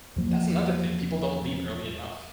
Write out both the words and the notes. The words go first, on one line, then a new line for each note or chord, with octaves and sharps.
That's another thing, people don't leave early enough,
E2 F3 A#3